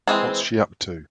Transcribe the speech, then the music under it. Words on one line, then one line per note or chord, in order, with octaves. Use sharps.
What's she up to?
E3 G#3 C4